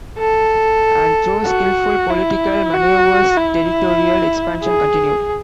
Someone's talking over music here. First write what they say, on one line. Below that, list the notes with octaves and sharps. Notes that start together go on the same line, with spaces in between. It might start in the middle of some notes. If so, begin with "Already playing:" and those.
And through skillful political manoeuvres territorial expansion continued.
A4
F#4
E4
F#4
E4
G#4